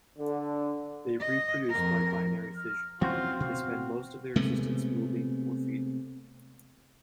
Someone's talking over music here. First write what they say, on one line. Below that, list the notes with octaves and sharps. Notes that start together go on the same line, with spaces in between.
They reproduce by binary fission.They spend most of their existence moving or feeding.
D3
D#5
F2 A#4
F6
E3 C4 C#4 F4 F#4 C5
B2 F5
C3 G#3 A3 B3